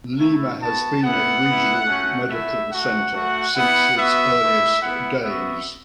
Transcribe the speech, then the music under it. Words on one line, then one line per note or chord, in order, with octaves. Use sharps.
Lima has been a regional medical center since its earliest days.
A3 E4
B3 F#4 A5
B3 E4 F#5
B3 E4
A3 C#4 F#4
A3 E4 E5
A3 F#4 F#5
A3 F#4
B3 E4 F#5
B3 F#4 E5
A3 E4
B3 E4 F#5
B3 F#4 E5